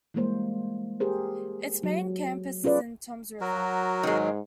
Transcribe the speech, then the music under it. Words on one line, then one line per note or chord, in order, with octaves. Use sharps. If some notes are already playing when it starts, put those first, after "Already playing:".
Its main campus is in Toms River.
E3 G3 G#3 A#3 C5
G4 G#4 A#4 C5
F#3
C#4 F4 G#4 B4 D5
F#3 F#4 A#4
G#2 D#3 G#3